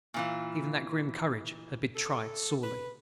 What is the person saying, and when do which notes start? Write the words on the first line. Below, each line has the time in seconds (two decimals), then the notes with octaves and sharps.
Even that grim courage had been tried sorely.
0.14 A#2 E3 F4
1.95 A4
2.63 B4